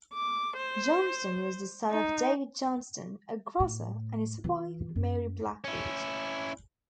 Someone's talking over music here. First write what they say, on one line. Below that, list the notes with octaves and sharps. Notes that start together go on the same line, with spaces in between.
Johnston was the son of David Johnston, a grocer, and his wife, Mary Blackwood.
D6
C5
D#4
A2
E3 F4
F#2
C#4 E4